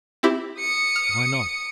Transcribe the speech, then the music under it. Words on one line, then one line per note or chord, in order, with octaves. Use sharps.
Why not?
C4 E4 G4
D#6 C#7
F6